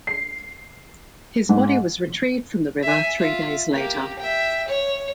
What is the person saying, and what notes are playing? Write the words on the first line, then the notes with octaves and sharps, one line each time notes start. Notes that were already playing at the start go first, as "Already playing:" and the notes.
His body was retrieved from the river three days later.
C7
G#2
E5 G#5
F4 E5
A#3 G4
E5 G5
C#5